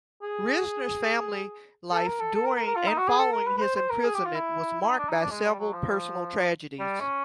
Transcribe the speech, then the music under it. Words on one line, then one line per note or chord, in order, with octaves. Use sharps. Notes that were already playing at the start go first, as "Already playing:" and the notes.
Risner's family life during and following his imprisonment was marked by several personal tragedies.
G#4
A4
A#4
A4
A4
A#4
A#4
A#4
F4
D#4
F#4
G#4
A4
A#4
B4
B4
C5
C5
A#4
G#4
G4
F4
E4
E4
D#4
D4
D#4
D4
G#3
G3
F#3
F3
G3
C#4